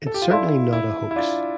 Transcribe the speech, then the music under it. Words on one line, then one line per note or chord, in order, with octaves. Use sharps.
It's certainly not a hoax.
A4
G4
F4
E4 A4 D5 F5 A5 C6
E4
E4
D4 F4